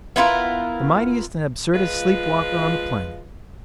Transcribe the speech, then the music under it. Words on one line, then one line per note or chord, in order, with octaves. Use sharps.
The mightiest and absurdest sleep-walker on the planet!
B3 E4 F4 A#4
F3 G#3 F4 B4